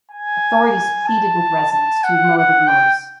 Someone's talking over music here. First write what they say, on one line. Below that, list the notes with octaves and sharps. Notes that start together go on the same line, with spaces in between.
Authorities pleaded with residents to ignore the rumors.
G#5
A5
A5
F#5
F#5
G5